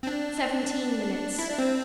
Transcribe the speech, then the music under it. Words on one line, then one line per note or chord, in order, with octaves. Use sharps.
Seventeen minutes.
C4
D4
E4
D4
C4